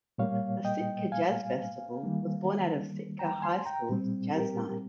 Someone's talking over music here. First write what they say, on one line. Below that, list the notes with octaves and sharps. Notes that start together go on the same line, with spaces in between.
The Sitka Jazz Festival was born out of Sitka High School's jazz nights.
A#2 G3 A#3 C#5 F5
D#5 G5
F5 G#5
D#3 G3 A#3
G5 A#5
G#5 C6
G5 A#5
A#2 G3 C4
G4 A#4